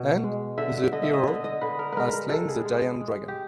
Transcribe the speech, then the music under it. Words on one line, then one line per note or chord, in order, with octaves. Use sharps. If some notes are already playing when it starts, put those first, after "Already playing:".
And the hero has slain the giant dragon.
Already playing: B2
G#3
D3 E5
D3 D#5
E5
D#5
D3 D#5
D#5
D3 B4
A#4
G#3 A#4 B4
A#4
C3 A4
G#4
G#3
G#3
G4